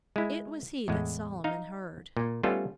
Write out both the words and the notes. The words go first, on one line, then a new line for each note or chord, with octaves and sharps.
It was he that Solomon heard.
G#3 E4
E2 A2 G#3
D#4 F5
A#2
G3 A3 B3 C#4 F4 A4